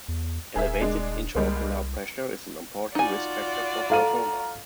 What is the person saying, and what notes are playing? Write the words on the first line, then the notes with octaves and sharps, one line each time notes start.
Elevated intraocular pressure is an important risk factor for glaucoma.
E2
D#1 G#4 A#4 E5
G#3 D4
C2 G3 G#3 A#3
D#4 F4 F#4 D5 G#5
A4 F5 A#5 D#7